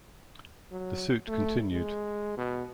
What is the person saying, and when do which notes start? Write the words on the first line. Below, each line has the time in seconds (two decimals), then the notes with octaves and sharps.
The suit continued.
0.72 F#3
1.28 A3
1.72 G#3
2.37 B2